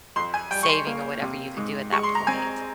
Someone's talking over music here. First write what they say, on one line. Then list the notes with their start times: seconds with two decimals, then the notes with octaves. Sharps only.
saving or whatever you can do at that point.
0.16 F2 C6
0.34 G#5
0.51 G3 G5
0.63 C#6
0.69 C6
0.87 A#3
1.22 C3
1.57 G#2
1.92 G#3 C#6
2.03 C6
2.15 A#5
2.27 C4 G#5